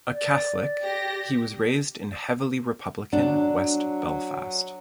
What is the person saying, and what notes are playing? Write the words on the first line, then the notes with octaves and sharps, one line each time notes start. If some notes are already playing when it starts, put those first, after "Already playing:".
A Catholic, he was raised in heavily republican West Belfast.
D5
G4 A#6
F#3 D4